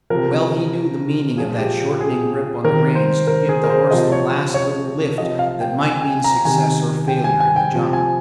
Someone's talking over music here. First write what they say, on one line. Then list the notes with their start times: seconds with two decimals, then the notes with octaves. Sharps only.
Well he knew the meaning of that shortening grip on the reins to give the horse the last little lift that might mean success or failure in the jump.
0.10 C3 F3 A#4
1.37 A#2 F3 G#4
1.58 G4
2.01 G#4
2.64 C3 D#3 A#4
2.95 C5
3.27 A#4
3.49 G#4
3.64 A#4
3.70 C5
3.91 C3 F3 D#5
4.12 C#5
4.54 C#5
5.18 C3 F3 D#5
5.39 F5
5.61 G5
5.81 G#5
6.02 G#5
6.24 A#5
6.45 C3 D#3 G#5
7.08 G5
7.24 G#5
7.40 G#5
7.56 G5
7.72 C3 F3
7.93 G#5